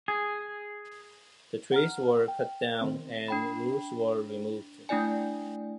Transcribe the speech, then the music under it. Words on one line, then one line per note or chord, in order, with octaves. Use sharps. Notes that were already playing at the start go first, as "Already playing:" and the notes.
The trees were cut down and roots were removed.
G#4
F#5 A#5 F6
G5
D#3 C4
D4 G5 B5
A3 D4 E4 D5 G#5